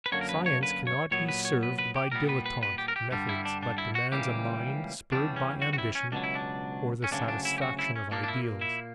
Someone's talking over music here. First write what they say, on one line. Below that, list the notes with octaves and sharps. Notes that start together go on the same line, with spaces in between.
Science cannot be served by 'dilettante' methods, but demands a mind spurred by ambition or the satisfaction of ideals.
B4
F#2 D3 F#3 A#3 C#5
A#4
B4
C#5
B4
C#5
A#2 F#3 B3 C#5
B4
C#5
B4
B4
G4
A#2 G3 B3 A#4
B4
B4
B4
G4
A#4
G4
G2 D3 G3
E4
D4
D4
E4
F#4
C#2 C#3 E3 G3 A#3 G4
E2 C#3 G3 D4
C#4
F#4
F#4
E4
C#4
C#2 B2 F#3 D4
E4
D4
C#4
D2 C#3 F#3 D4
D4
E4
G4
F#4
E4
C#4
A#2 A#3 D4
D4
E4
E4